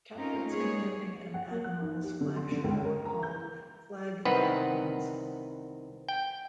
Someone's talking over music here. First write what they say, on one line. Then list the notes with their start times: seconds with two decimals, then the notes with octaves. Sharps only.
Captains commanding an admiral's flagship were called "flag captains".
0.15 C4 C#4 D#4 F4 A#4
0.50 G#3 A#3 B3 G#4 C#5
1.34 F#5
1.51 A#3
1.64 F#6
1.82 D#4
2.04 G4
2.21 D3
2.36 C6
2.52 D3
2.64 C#2
2.84 A#4
3.05 A#5
3.23 G6
4.25 C2 D#3 B3 C4 B4 F#5
6.09 G5